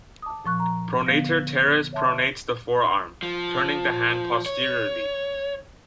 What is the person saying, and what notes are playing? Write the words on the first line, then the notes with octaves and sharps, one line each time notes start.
Pronator teres pronates the forearm, turning the hand posteriorly.
A5 D6 D#6
A#2 F3 C#6 F#6
A#5
D3 B3 F5 A#6
C#5 E5 A5 C6
F3
C#5